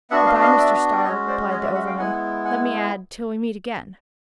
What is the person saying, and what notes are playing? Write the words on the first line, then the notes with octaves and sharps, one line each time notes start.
"Good-by, Mr. Starr," replied the overman, "let me add, till we meet again!"
B3 D4 F#4 E5 F#5
D#5 F5
D#5 F5
D5 E5
D5
G#3 C#4 F#4 C#5 D#5
C5 D5
C#5 D#5
D5 E5
E5 F#5
F5 G5
G#3 B3 E4 F#5 G#5
F#5 G#5